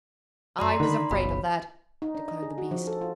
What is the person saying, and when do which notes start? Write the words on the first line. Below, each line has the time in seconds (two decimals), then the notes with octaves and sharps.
"I was afraid of that," declared the beast.
0.59 F#2 F#3 D5 A#5 C6
0.80 D3 D#3 D#4 A#4 B5
1.11 F#1 B1 B2 F4 C#5 B5
2.02 D#4
2.15 D4
2.28 D#5
2.43 G#4
2.58 F#4
2.71 F3
2.87 A4
3.01 F4